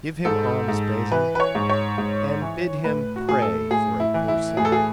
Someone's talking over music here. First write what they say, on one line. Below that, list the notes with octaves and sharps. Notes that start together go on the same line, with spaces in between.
"Give him alms, Bazin, and bid him pray for a poor sinner."
G#2 A4
G#2
E3 B4
B4
C#5
G#2
C#5
G#2
E3
A2 B4
F#4
A2 G#4
A4
A2 G#4
E4
E3
E4
A2 G#4
A4
G#4